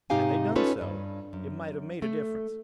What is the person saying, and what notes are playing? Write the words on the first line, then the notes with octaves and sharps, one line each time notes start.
Had they done so, it might have made a difference.
G#2 C3 D#4 G4 F5 G#5
C#4 D#4 F4 A4 B4 C#5
G2
F#2
A3